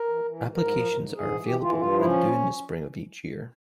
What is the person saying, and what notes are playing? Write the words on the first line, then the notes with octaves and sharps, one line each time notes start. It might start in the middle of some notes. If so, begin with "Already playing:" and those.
Applications are available and due in the spring of each year.
Already playing: A#4
E3
E3
G#2
G#2 A#4
F3
G#2
G#2
G#2 G#4
E3
E3 G4
E3 F4
G2 F4
F3 E4
C#4